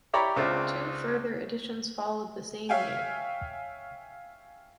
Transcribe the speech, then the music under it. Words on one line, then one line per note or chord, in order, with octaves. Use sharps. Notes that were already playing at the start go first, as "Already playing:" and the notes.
Two further editions followed the same year.
E4 G4 C#5 D5 A#5 B5
C#2 C4 D4 F4 E5
C#5 E5 F5 G5 G#5